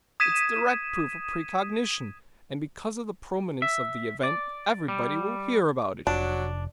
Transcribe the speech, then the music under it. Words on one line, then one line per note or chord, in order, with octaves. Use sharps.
It's direct proof of precognition, and because of the prominence of the event, everybody will hear about it.
D#6 G#6 B6 D#7 E7
E5
D5
G3
F1 F#3 D4